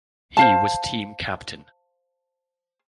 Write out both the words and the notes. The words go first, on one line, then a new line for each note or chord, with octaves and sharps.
He was team captain.
C5 F5 A5